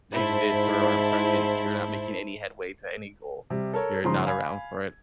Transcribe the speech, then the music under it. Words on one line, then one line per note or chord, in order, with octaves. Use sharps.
exist or aren't present, you're not making any headway to any goal. You're not around for it.
G#2 E4 C5 A5
C3 G3
A4 A#4 C#5
G#2 C#3 F3 A#5 C6
F5 G#5 B5 G#6